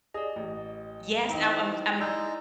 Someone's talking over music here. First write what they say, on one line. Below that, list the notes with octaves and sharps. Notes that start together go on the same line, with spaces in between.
Yes, I I'm I'm
G#4 D5 D#5 D#6
A1
E3 C4 D#4 G5
G#3 D#4 E4 D5 E6 G6